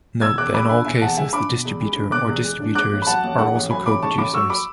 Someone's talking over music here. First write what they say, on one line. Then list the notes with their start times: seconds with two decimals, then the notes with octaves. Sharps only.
Note that in all cases the distributor or distributors are also co-producers.
0.22 B2 E6 G#6
0.38 E2 D6 F#6
0.54 G#3 B5 D6
0.70 D4 G#5 B5
0.85 B2 E5 G#5
1.02 E2 F#5 A5
1.17 G#3 E5 G#5
1.33 D4 B5 D6
1.49 B2
1.65 E2
1.81 G#3
1.96 D4
2.12 B2 D6 F#6
2.28 E2
2.44 G#3
2.60 D4
2.75 G#2 D6 F#6
2.92 A1
3.02 B5
3.07 F#3 F#5 A5
3.24 A1
3.38 G#2 F#5
3.55 A1
3.71 F#3 G#5 B5
3.86 A1 B5 D6
4.03 G#2 A5 C#6
4.18 A1 B5 D6
4.33 F#3 C#6 E6
4.50 B5 D6